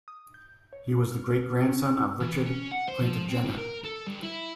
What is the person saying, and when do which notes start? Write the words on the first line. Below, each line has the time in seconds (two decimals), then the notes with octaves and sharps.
He was the great-grandson of Richard Plantagenet.
0.08 D#6
0.34 G6
0.73 C#5
1.12 F6
1.69 C#4
2.20 E3
2.46 C#4
2.72 F#5
2.88 C5
3.01 F3
3.29 C4
3.46 A2
3.58 A#4
3.85 A4
4.07 G2
4.22 E4